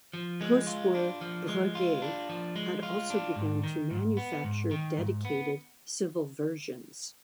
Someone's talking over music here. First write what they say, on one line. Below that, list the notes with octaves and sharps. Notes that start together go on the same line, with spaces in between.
Postwar, Breguet had also begun to manufacture dedicated civil versions.
F3
G#3
F4
D4
F3
G#3
F4
D4
F3
G#3
F4
D4
G#2
D#3
G#2
B3
G#2
D#3
G#2
B3